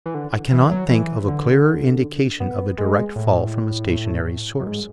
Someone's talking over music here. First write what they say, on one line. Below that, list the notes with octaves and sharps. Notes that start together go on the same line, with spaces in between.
I cannot think of a clearer indication of a direct fall from a stationary source.
E3
D3
E3
F#3
E3
D3
B3
G#3
A2
F#2
G#2